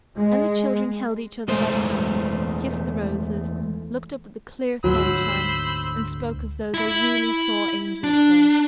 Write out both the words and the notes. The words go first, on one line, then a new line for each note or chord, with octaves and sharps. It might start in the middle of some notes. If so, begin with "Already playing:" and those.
And the children held each other by the hand, kissed the roses, looked up at the clear sunshine, and spoke as though they really saw angels there.
G#3
E2 G#3 A3 C5
D2 G#2 F#3 C5 B5 E6
E4 B5
D4